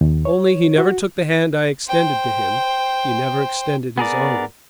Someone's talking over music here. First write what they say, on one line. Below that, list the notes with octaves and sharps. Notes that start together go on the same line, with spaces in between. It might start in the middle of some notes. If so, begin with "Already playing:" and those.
Only, he never took the hand I extended to him. He never extended his own.
D#2
C#5
F#4
C5 G5
B3 G#4 A#4 D5